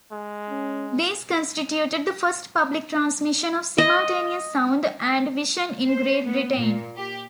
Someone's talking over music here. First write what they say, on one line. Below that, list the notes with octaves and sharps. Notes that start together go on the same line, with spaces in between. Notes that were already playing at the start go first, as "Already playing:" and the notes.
These constituted the first public transmission of simultaneous sound and vision in Great Britain.
G#3
C#4
D#5
C5
B3
A#2
G4